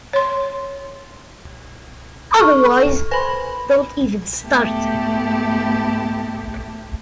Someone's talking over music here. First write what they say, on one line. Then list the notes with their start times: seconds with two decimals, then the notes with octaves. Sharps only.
Otherwise, don't even start.
0.13 C#5 C6
2.39 A4 C#6
3.11 B4 C5 G#5 B5 C6 A#6
4.44 G#2 A3 B3 G4 A5